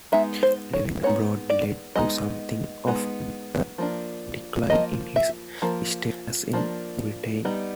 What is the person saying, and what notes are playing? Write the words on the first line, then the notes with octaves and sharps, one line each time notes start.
Living abroad led to something of a decline in his status in Britain.
G#3 B3 D#4 E5
C5
C#5
G#3 B3 D#4 C#5
D5
G#3 B3 D#4 D#5
G#3 B3 D#4
F3 A#3 D4
F3 A#3 D#5
E5
F3 A#3
F3 A#3 D4
G3 B3 D#4